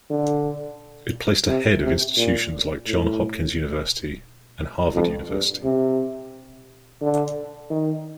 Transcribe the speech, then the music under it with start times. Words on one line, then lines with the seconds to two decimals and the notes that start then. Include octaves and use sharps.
It placed ahead of institutions like Johns Hopkins University and Harvard University.
0.10 D3
1.48 C3
1.83 C3
2.17 A#2
2.86 A2
4.94 F2
5.29 G2
5.63 C3
7.01 D3
7.70 D#3